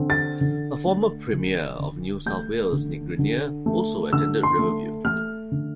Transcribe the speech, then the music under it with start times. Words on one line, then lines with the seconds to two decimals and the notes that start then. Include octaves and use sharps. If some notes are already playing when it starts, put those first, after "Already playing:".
A former Premier of New South Wales, Nick Greiner, also attended Riverview.
Already playing: D3 C4
0.10 A6
0.41 D3
0.86 A3
1.33 D3
1.79 D3
2.26 A3 G6
2.72 D3
3.19 D3
3.66 A3
4.13 D3 E6
4.43 C6
4.59 A3
5.05 A3 F6
5.52 D3